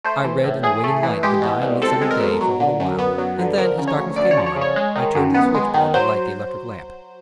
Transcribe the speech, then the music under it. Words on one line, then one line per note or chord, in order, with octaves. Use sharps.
I read in the waning light of the dying midsummer day for a little while, and then, as darkness came on, I turned to the switch-board to light the electric lamp.
A3 C5
E3
A2
A2 G#4
A3
E3
G#3 G4
B2
C2
C4 A4
G#3
A#4
B2
F#3
D3
F#2
B3
F#3
D3
F3 A#4
C#3
C#5
D2
D2 D5
C#5
F3
C#5
C#3
C#5
G#3
D#3
F#2
B3
G#3
D#3
F#3 C5